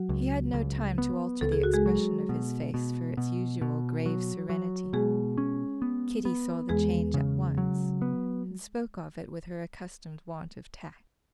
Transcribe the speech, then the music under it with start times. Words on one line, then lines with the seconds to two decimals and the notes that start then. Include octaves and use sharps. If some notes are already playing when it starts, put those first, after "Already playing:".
He had no time to alter the expression of his face for its usual grave serenity: Kitty saw the change at once, and spoke of it with her accustomed want of tact.
Already playing: F#3 F#4
0.09 C#2
0.53 C#2
0.98 B3
1.41 C#2 A4
1.52 G#4
1.63 F#4
1.74 G#3 G#4
1.86 F#3
2.29 B2
2.74 B2
3.17 B2
3.61 B2
4.06 F#3
4.50 F#3
4.93 B2 G#3 G#4
5.38 C#4
5.82 B3
6.25 B3
6.69 E2 G#3 G#4
7.14 C#3
7.58 F#3
8.02 B3